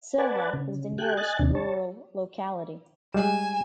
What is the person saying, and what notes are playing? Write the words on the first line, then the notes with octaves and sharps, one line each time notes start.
Sylva is the nearest rural locality.
B4 D5 F#5 G#5 A5
C#3
G4 A4 G5 G#5 F#6
D#5 G#5 F#6 A6
D#2 C3 D4
C#5 A5
G3 G#3 G#5 E7